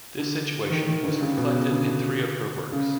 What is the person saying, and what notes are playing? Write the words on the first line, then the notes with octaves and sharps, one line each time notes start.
This situation was reflected in three of her works.
D3
D#3
D#3
D3
C#3
B2
C#3
D3
C#3